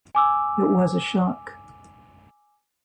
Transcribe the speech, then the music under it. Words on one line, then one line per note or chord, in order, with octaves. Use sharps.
It was a shock.
G#5 D6 E6